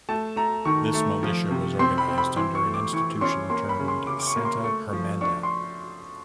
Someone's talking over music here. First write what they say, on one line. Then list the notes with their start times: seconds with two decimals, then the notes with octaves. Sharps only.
This militia was organized under an institution termed Santa Hermandad.
0.09 A3 A5
0.36 A3 A#5
0.65 D#3 C#6
0.94 A3
1.23 F3
1.51 C3
1.79 C4 C6
1.98 B5
2.08 C4
2.18 B5
2.36 E3 C6
2.55 C#6
2.65 A3
2.74 D6
2.93 E3 C#6
3.21 C#4 C6
3.50 A#3 C6
3.69 B5
3.79 C#3
3.88 C6
4.07 C#3 D6
4.19 D6
4.27 C#6
4.36 A#3
4.45 C6
4.64 A3 C#6
4.93 F3
5.21 D4 C#6
5.43 C6